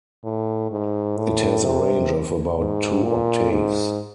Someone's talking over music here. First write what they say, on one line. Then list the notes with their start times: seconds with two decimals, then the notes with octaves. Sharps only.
It has a range of about two octaves.
0.24 A2
0.71 G#2
1.18 A2
1.64 C3
2.58 G#2
3.04 A#2
3.51 G#2